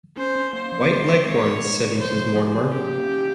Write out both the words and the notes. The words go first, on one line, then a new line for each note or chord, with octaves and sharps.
White Leghorns, said Mrs Mortimer.
C#4 C5
C#4
A#3 C5
F3
G#3
C4
G#3 C#5
A#2
G#3
C3
F3 C5
F3
F3 G#4
F3
C#4 G4
A#3
C#4